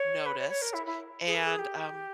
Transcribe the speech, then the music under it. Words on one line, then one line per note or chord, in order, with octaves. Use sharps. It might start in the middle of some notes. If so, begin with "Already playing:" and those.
noticed, and, um,
Already playing: C#5
B4
C#5
C#5
A#4
E4
E4
G#4
A#4
G#4
G4